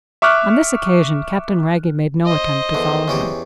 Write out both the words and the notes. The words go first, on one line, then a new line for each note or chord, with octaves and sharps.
On this occasion Captain Wragge made no attempt to follow him.
E5 C#6 D6 F6 F#6
C5 D#5
E2 D3
E2 C#4 G4